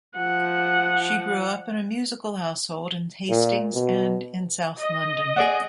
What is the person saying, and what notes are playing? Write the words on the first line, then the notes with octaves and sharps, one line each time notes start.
She grew up in a musical household in Hastings and in south London.
F3 F#5
A#2
B2
D#5
G#4 D5 F#5